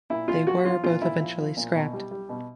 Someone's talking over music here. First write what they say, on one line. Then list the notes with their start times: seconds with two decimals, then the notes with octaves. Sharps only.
They were both eventually scrapped.
0.10 A#2 E4
0.28 A#2 F4
0.47 F3 F#4
0.65 F3 F4
0.84 A#2 F4
1.02 A#2 E4
1.20 F3
1.38 F3
1.57 A#2
1.75 B2
1.93 G3
2.11 G3
2.29 B2